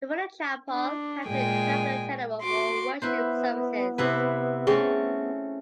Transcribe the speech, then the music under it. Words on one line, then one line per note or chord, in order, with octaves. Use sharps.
Before the chapel, they had to travel to Tenero for worship services.
D4
A#2 G#3 G5 G#5
F#4 C6 D6
B3 E4 B4 C5
C3 E4 B4
A3 C4 C#4 G#4